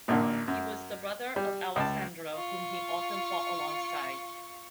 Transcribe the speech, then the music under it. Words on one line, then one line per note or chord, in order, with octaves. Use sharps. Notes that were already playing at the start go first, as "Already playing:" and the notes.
He was the brother of Alessandro, whom he often fought alongside.
A1 A#2 D3 A#3
F#2
G3
C#2 A5
F4 C#6